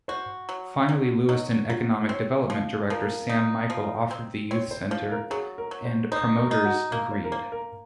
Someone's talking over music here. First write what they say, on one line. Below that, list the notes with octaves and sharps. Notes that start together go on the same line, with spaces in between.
Finally Lewiston economic development director Sam Michael offered the Youth Center, and promoters agreed.
F#4 C5
F#3
F#3
F#3 D#4
F#3 F4
C4 C#5
F3
F3 A#4
D#4
F3
C4
C4 C#5
C5
F3 C5
A#4
F#3 G#4
A#4
F#3
C5
D#4 C5
A#4
D#4
F#4
A#3 A#4
C5
A#4
A#3 C5
A#4